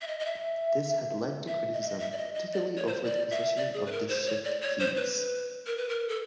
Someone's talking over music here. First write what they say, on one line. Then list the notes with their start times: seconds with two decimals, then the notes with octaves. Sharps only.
This has led to criticism, particularly over the positioning of the "Shift" keys.
0.02 E5
0.07 D#5
0.20 D#5
0.25 E5
1.48 E5
1.73 D#5
1.82 E5
1.89 D#5
1.99 E5
2.12 D5
2.17 D#5
2.35 D#5
2.53 D5
2.77 C#5
2.87 C5
3.05 D5
3.31 E5
3.57 D5
3.74 G#4
3.86 B4
3.92 A#4
4.09 C5
4.27 C#5
4.45 D5
4.62 C#5
4.80 C5
4.96 B4
5.66 A#4
5.78 B4
5.89 A#4
6.08 A4